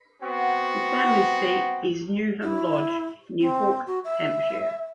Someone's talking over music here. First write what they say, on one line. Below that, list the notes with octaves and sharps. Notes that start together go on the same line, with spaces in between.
The family seat is Newham Lodge, near Hook, Hampshire.
B3 C4 F#4
E4
C4
F#4
E5